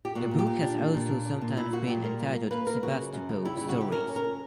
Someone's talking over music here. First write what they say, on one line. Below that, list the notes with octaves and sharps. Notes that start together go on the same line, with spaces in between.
The book has also sometimes been entitled Sebastopol Stories.
G4
A#2 F#4
A#2
G4
A#2
D4
A#3
A#2
D4
D4
A#2
A#2 E4
A#3 F#4
A#2 G4
G3 A#4
A#3
A#3
A#3 B4
A#3 A#4
C#3 F#4
F#2
F#2
C#3
G3 E4
C#3 E4
F#4
F#2 G4
C#4 A#4
C#4
A#4
C#4